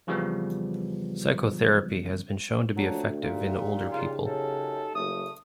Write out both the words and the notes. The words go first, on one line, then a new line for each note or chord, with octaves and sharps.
Psychotherapy has been shown to be effective in older people.
F2 C#3 E3 F3 G3 B3
D2 F3 F#3 D4
A#2 D#4 G4
C#3 F4
F#2 A4
F#1 A3 D#6